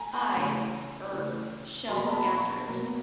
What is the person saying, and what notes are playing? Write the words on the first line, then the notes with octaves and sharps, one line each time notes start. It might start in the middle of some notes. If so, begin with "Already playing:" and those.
I — er — shall look after it.
Already playing: G#5 A#5
C#3 E3 A3
C#3 E3 A3
B2 F#3 A#3 C6
B5
A#5
A5 B5
B2 F#3 A#3